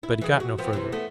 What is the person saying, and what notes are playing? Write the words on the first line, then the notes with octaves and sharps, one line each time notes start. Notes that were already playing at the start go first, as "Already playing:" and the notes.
But he got no further.
E4
E3 G#4
F#4
F3 B3 C4
C3 E3
A3 B3